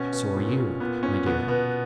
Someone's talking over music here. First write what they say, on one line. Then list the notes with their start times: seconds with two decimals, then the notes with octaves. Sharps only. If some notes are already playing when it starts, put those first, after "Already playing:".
So are you, my dear.
Already playing: B2 C#4
0.13 B2
0.35 A#2
0.57 A#2
0.80 A#2 B3
1.03 A#2 C#4
1.26 B2 B3
1.48 B2 B3